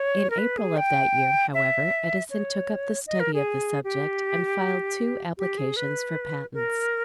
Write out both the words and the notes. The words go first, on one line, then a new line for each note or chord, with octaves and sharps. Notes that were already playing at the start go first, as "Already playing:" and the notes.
In April of that year, however, Edison took up the study of the subject and filed two applications for patents.
Already playing: C#5
A#4
B4
G#4
G5
E5
C#5
D#5
A#4
G#4
G4
G4
G#4
B4
A#4